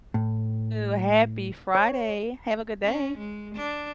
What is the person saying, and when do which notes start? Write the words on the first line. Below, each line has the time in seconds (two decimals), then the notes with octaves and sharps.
Happy Friday. Have a good day.
0.14 A2
1.75 C#5
2.84 C#4
3.18 G#3
3.55 D4